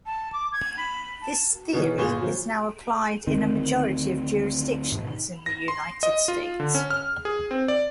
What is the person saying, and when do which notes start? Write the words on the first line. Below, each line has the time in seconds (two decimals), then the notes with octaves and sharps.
This theory is now applied in a majority of jurisdictions in the United States.
0.05 A5
0.32 D6
0.52 G#6
0.77 B5
1.21 A5
1.73 B2 D#3 E3 B3 C#4
1.98 G1 A#2 G#4 C#6 G7
2.22 F3 F#3
3.27 D2 D#3 C4
4.92 G#2 B2 D#3
5.46 A#6
5.68 C6
6.03 D#5
6.28 F4
6.60 D3
6.75 C#4
6.90 F6
7.25 G#4
7.51 C4
7.68 D5